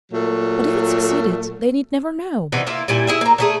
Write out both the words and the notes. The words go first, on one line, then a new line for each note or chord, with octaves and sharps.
'But if it succeeded, they need never know.
A#2 F#3 A3
C3 E3 F#4 D#5
A#3 E4 F4
A#2 G3 E4 G#5
E4 G#4 E5
A#3 A#5
D3 A3 G#4